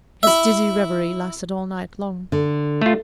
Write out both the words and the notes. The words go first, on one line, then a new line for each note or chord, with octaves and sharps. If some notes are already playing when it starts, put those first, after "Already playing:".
His dizzy revery lasted all night long.
E4 E5
D3
A3 F4